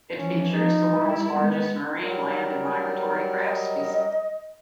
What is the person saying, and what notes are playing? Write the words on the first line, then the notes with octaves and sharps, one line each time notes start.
It features the world's largest marine, land and migratory crab species.
E3 F3 C#4
D#4
G3 E4
D#3 G#3 B3
F#3 G3 A#4
D#5